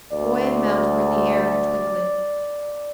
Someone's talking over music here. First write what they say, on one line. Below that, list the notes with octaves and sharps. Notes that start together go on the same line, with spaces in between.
Boy and mount were in the air in a twinkling.
D2 D5